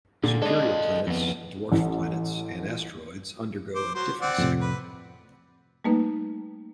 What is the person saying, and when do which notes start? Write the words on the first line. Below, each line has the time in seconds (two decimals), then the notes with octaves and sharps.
Superior planets, dwarf planets and asteroids undergo a different cycle.
0.23 A#2 D3
0.42 G#3 D4 A4 D#5
1.07 F2 B3
1.72 A1
3.75 C5 D6
3.95 F#3 C5 C6
4.21 C4 D5 F#5
4.38 F2 A2 C3
4.61 B4
5.84 G3 A3 A#3 D#4 B4